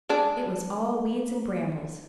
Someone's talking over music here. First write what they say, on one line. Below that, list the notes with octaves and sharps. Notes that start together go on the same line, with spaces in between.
It was all weeds and brambles.
G#3 D4